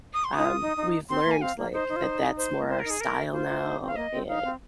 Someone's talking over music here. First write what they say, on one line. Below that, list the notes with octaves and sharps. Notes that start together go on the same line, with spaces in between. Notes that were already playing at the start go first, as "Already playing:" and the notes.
um, we've learned, like, that that's more our style now, and
D#6
C6
D#4 D#6
F4
D#4
D#4
C4 C6
A#3
G#5
C4 F5
A#3
D#4 C5
D#4
F4
D#4
C5
A#3
C4 C5
A#4
D#4
G#4
A#4
F4 C5
F4
D#4
C4
F5
A#3 D#5
C4
D#4 F5
C4